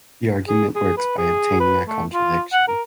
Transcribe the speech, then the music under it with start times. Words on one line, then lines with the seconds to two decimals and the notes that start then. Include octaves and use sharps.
The argument works by obtaining a contradiction.
0.48 G#4
0.75 G#4
0.98 B4
1.18 G#4
1.60 B4
1.88 A3
2.14 F4
2.53 F#5
2.68 A#4